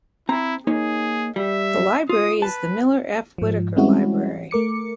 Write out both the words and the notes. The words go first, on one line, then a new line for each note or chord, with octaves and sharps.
The library is the Miller F. Whittaker Library.
C4 E4 A#5
A#3 D#4 G#4 C#5
G3 E5
F4 D#6
B4 A5
G#2 F3
G3 G#3 C4 C#4 E4 F#4
A3 A#4 D6 C#7